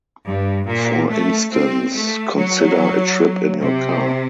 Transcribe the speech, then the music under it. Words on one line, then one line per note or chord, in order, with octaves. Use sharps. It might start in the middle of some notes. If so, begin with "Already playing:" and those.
For instance, consider a trip in your car.
G2
A#2
A3
C4
A3
F#3
C3